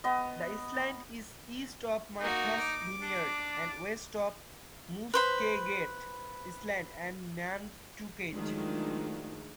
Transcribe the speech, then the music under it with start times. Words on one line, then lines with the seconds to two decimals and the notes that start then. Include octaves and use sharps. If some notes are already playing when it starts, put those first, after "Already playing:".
The island is east of Martha's Vineyard and west of Muskeget Island and Nantucket.
0.04 B3 D#5
2.20 A#3 D#4 F#4
2.59 D6
3.02 D4
5.14 B4 C5 B5
8.31 D#3 F3 F#3 G#3 A3 D4